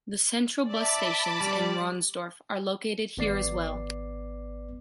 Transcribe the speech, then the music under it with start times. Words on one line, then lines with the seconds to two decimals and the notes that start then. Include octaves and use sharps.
The central bus stations in Ronsdorf are located here as well.
0.67 D5 E5 A5 B5 D6
1.40 G3 D5
3.17 G#1 B3 D5 C7